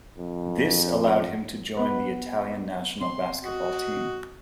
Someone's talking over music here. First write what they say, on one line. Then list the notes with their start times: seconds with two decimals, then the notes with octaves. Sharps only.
This allowed him to join the Italian national basketball team.
0.18 F2
1.77 B3 B4
3.01 C4 C6
3.44 F#4 D#5